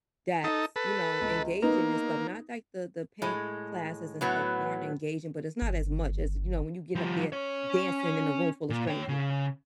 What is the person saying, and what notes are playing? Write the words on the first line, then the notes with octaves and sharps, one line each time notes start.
that's, you know, engaging and stuff, not like the the paint classes and stuff aren't engaging, but it's not as much as, you know, when you get up there dancing in a room full of strangers.
D#4 A4
A4 B4
C#2
A#3 B3 D#4
A2 G#3
A2 F#3 B3
G1
F3 G3
C#4 C#5
A#2
C#5 G5
C#3